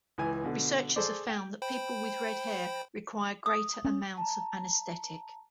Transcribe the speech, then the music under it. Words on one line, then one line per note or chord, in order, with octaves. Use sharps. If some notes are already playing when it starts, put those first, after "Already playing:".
Researchers have found that people with red hair require greater amounts of anesthetic.
C#2 E3 G#5
B2 D3
G#4 A4 C5 D5
G5
C5 G5 B5
D#6
C#4
A5 A#5